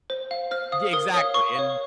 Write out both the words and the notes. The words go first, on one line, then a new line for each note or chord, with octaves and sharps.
Yeah, exactly, and
C5
F5
C5 F6
F5 D#6
A#4 D#6
C#5 F5 D#6
A#4 C#6
C#5 F5